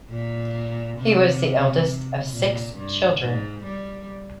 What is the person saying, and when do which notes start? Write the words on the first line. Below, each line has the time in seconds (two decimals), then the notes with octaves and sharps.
He was the eldest of six children.
0.10 A#2
1.00 C3
2.33 A#2
2.77 G2
3.21 G#2
3.66 G3